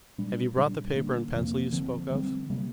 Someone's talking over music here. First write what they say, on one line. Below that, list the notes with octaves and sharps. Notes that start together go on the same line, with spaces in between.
Have you brought the paper and pencil you spoke of?
A#2 G3 D4
A#2 G3 D4
D3 A#3 D4
F2 C3 F3 A#3
D3 F3 C4
D3 G3 C4
C3 G3 A#3